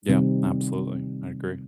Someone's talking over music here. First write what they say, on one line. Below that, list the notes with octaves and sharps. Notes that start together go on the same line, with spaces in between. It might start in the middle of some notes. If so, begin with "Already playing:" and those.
Yeah, absolutely, I agree.
C3 D#3 G3 C4 D#4